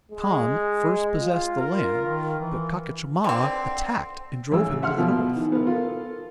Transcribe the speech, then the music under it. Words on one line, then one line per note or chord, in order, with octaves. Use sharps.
Con first possessed the land, but Pachacama attacked and drove him to the north.
G#3
F4
A#4
D#3
E3
D3 C4
A1 G#3 E6
E5 F#5 C6 F6
B2 F3 B3
D#3 E3
B3 A#4
F4 A4